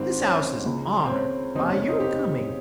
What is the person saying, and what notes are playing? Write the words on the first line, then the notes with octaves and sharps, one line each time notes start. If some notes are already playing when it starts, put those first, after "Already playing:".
"This house is honored by your coming."
Already playing: G#1 G#2 D#3 C4
C#4
C#2 C#3
C4
C#4
F1 D#2 C#3 C4 D#4
C#4
C#4
C4 D#4
D#4 G4